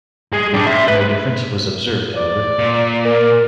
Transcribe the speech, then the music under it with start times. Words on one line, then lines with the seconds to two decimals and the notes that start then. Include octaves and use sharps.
No difference was observed, however.
0.33 G#3
0.54 G3 D4
0.67 E5 C6
0.88 B4
2.17 D5
2.59 A#2
3.05 A#4 D5